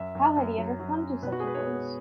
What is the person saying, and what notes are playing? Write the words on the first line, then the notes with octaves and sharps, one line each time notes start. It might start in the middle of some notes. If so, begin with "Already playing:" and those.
How had he ever come to such a place?
Already playing: F#2 E5
F#2
F#2
F#3
F#3
C#4
B2 B4
F#4
G#4
G#3 B4
C#5
B3